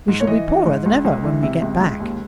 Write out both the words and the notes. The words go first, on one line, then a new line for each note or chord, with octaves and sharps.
We shall be poorer than ever when we get back.
G#2
C#5
E3 D#5
E3
G#2
C#2
C#2
E3
C3 E5
C#2
C#2
D#2